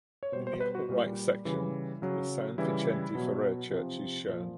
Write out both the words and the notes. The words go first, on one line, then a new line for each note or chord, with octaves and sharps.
In the upper right section the San Vicente Ferrer church is shown.
C#5
B2 G3 C5
C5
B4
F#4
A#2 G3
C#3 E3 G3
C#3 F#3
C#3 E3 G3 E4
B2 F#3
C3 F3
A#2 F3